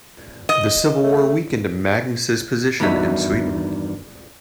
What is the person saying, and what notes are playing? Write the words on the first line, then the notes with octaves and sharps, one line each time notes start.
The civil war weakened Magnus's position in Sweden.
D#5
A3
E2 G2 D#3 D#4 F#4 E5